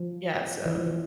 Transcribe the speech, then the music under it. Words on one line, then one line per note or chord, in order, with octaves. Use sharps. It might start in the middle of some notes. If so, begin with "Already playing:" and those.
Yeah. So
Already playing: F3
E3
F3
E3